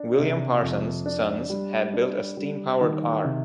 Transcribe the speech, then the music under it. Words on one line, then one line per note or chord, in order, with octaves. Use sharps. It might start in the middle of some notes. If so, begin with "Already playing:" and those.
William Parsons' sons had built a steam-powered car.
Already playing: D4
C3
F2
D4
G3
D4
G3
D#3
C3